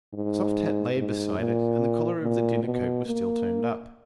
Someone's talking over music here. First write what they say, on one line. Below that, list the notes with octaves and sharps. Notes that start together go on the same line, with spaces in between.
A soft hat lay beside it, and the collar of the dinner-coat was still turned up.
G#2
G#2
A#2
A#2
B2
A#3